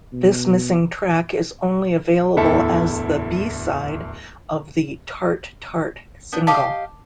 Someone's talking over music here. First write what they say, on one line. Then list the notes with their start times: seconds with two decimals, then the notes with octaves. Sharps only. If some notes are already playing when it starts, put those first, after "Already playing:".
This missing track is only available as the B-side of the "Tart Tart" single.
0.13 B2
2.37 D1 E2 E4 A4 E5
6.32 B3 D4 G5
6.47 G4 D#5 F5 A5 D6